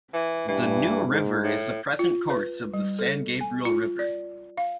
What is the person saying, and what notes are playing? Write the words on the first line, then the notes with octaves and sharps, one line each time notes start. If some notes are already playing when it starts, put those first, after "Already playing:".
The "New River" is the present course of the San Gabriel River.
E3
G2 E3
G#2
A2
F4
B4
G3
A4
G#5
F4
D5
F5